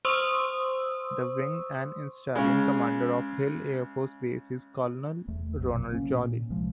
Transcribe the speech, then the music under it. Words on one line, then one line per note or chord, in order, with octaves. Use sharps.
The Wing and Installation Commander of Hill Air Force Base is Colonel Ronald Jolly.
C5 C6 C#6 D#6 E6
C#3 G#3
F1 E2 A3
A1 F2 B2 F#3
C#3 A#3 C4 C#4
A#2
C2 C3 F3 G#3